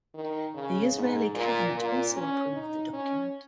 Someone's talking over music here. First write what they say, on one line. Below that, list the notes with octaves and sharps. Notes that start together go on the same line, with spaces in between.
The Israeli Cabinet also approved the document.
D#3
C#3
G#2
A#2
A#2
C#4
D#4
C#4